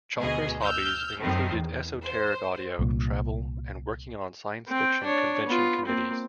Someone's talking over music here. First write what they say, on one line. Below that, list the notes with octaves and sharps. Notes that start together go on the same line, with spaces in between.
Chalker's hobbies included esoteric audio, travel, and working on science-fiction convention committees.
D2 B2 G#4 D#5
E6 F6 G6
F#2 A2 D#3 C4
E2
C5
C2 A#2
C4 G5
D4 C#5
B3 F4
A#3 C4